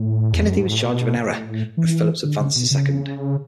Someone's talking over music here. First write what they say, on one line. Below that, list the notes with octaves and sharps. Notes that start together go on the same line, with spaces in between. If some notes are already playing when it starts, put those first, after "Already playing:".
Kennedy was charged with an error, and Phillips advanced to second.
Already playing: A2
E2
F#2
G#2
A2
B2
A2
E3
D3
C#3
B2
C#3